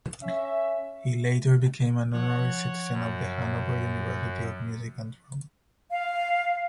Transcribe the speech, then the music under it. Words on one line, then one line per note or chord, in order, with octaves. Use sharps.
He later became an honorary citizen of the Hanover University of Music and Drama.
C#4 E5
F3 C#5 F#5
F#2
F5